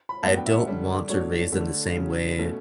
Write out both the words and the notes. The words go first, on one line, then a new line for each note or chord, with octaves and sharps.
I don't want to raise them the same way
B5
A2 F#3 B3 D4 A5
G5
E5
F#5
D3 G3 C#4
B2 F#3 A3 D4 C#5
D3 A3 D4
C#3 F#3 C#4
B2 A3 C#4